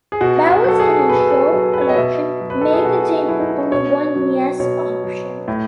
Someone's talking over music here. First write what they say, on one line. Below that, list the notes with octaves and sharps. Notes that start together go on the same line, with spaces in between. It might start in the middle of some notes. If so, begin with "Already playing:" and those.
Ballots in a show election may contain only one "yes" option.
G#4
B2 F#4
F#4
F#3 A4
G#4
B2 B4
A4
B4
F#3
B4
C#5
D#5
B2 E5
F#3
B4
A4
G#4
B2 F#4
F#3 E4
D#4
E4
B2 C#5
F#3
B2 C#5
F#3
A2